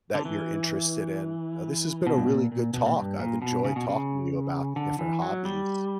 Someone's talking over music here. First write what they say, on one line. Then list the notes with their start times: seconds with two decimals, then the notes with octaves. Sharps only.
that you're interested in uh, this has been a really good talk, I've enjoyed talking to you about the different hobbies.
0.15 D3
0.25 E3
2.07 B2
2.17 G2
2.29 A#2
2.52 A#2
2.74 B2
2.86 A#2
2.96 G2
3.19 A#2
3.42 B2
3.65 C#3
3.76 B2
3.88 C#3
4.76 D3
4.99 E3
5.22 F#3
5.45 G3